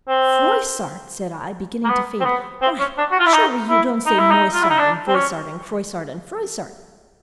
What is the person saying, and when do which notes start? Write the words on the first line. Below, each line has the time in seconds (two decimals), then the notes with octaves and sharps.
"Froissart!" said I, beginning to faint, "why, surely you don't say Moissart, and Voissart, and Croissart, and Froissart?"
0.08 C4
1.84 A#3
1.89 B3
2.20 C4
2.25 B3
2.62 C4
2.80 C#4
2.98 D4
3.12 F#4
3.20 F4
3.26 E4
3.34 D#4
3.70 E4
4.06 D#4
4.19 E4
4.31 D#4
4.53 F4
4.62 E4
4.70 D#4
4.79 D4
5.08 C4
5.15 C#4